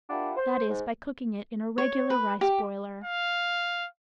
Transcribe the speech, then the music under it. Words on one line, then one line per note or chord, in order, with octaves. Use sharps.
That is by cooking it in a regular rice boiler.
A#3 D4 E4 F4 G4 F#5
C5
G#2
C#5
B4
G4
F5